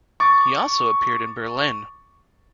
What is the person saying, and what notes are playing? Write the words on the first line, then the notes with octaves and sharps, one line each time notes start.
He also appeared in Berlin.
C#6 D6 A6